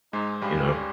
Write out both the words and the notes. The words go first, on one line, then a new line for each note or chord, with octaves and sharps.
you know,
G#2 G#3 D#4
G2 G3 C#4